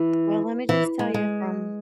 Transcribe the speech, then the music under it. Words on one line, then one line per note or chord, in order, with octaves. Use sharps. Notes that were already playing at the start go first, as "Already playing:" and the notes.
Well, let me just tell you from
Already playing: E3
E3
G#3
G#3